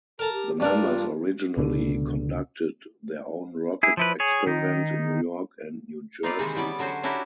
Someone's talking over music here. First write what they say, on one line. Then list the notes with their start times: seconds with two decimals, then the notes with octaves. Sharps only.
The members originally conducted their own rocket experiments in New York and New Jersey.
0.19 A4 A#4 A5 A#5
0.33 G4
0.60 G2 D4 A#4 D5
0.80 F4
1.57 C#2 B2 D3
3.83 E4 G#4
3.97 F3 E4 B4
4.20 G#4 C#5
4.46 D#3 D#4
6.23 A#3 D#4 F4 B4 D5 F5
6.39 C3 D#3 E3 G#3 C4
6.55 G3 B3 C#4 D5
6.79 D3 F#3 C#4 F#4 C5
7.03 C#4 D4 E4 F#4 G4 A#4